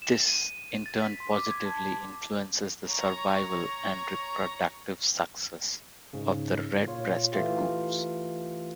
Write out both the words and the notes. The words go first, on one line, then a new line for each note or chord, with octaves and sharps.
This in turn positively influences the survival and reproductive success of the red-breasted goose.
E7
D#7
A6
B6
C6
D6
G#6
A5
C#5 A#5
G#2 C#3
A#2 F4 C#5
E3 A3 F4 G4